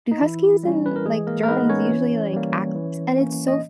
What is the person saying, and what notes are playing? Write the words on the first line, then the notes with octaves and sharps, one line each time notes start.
do Huskies and, like, Germans usually, like, act like this?" and it's so funny
D#4
E3 E4
G3 C#4
B4
A#4
E3 G#3 G#4
A#3 A#4
A#4
G#3 B3 D#4 B4
C#4 C#5
E3
G3 A#3
E3
A#3 C#4
D#5